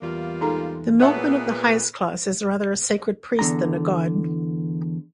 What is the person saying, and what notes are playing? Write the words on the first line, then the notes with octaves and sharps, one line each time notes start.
The milkman of the highest class is rather a sacred priest than a god.
E2 G3 A#3 F4
G#3 D#4 A4 A#5
A#2 B3 G#4 B4 C#5 E5 F#5 A5
E2 D3 A#5